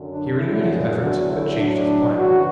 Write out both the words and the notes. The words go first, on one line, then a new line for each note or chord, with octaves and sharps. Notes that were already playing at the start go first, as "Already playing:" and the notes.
He renewed his efforts, but changed his plan.
Already playing: F#2 D3 F#3
D4
F#2 D3 F#3 E4
G#4
E2 D3 F#3 F#4
E4
A2 F#3 D4
F#2 C#3 E3 F#4